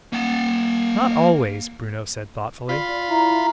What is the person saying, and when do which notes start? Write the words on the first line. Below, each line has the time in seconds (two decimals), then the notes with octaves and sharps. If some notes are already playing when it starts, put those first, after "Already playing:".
"Not always," Bruno said thoughtfully.
0.13 A#3 F#5
2.69 F4 D5 B5
3.09 E4 A#5